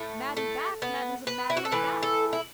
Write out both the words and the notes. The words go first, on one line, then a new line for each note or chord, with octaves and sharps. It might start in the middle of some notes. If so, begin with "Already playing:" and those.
Madden back Madden's a maddening back.
Already playing: A2 A3
A3
B3
B4
E4
F#4
A4
A2 E3 A3 B4
A4
E4